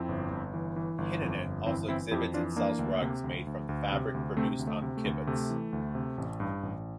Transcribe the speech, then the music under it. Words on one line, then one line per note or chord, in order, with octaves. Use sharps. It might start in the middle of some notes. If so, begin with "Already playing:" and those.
"Hinnanit" also exhibits and sells rugs made from the fabric produced on the kibbutz.
Already playing: F2 C4 E4
G1
G1
E3
E3
G1
F2
G1
E3 C4 E4
E3 C4 E4
F2 E4 G4
E3 D4 F4
E3 A#3 D4
D2
C3
D2
D2
D2
C3
D2
C3 A3 C4
D2
A3
C3
A3
D2
C3 A3
E3
D2
C3
A1
G2
A1